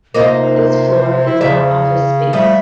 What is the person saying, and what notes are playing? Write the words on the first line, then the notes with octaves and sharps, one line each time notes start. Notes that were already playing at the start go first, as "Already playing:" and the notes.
This floor is now office space.
C3 A#3 D#4 F4 C5
E4
E2 C#3 D5 E5
F3 G3 A3 E5